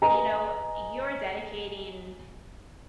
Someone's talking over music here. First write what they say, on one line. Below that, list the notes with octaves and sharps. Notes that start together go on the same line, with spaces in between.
you know, you're dedicating
B4 D#5 G#5 A#5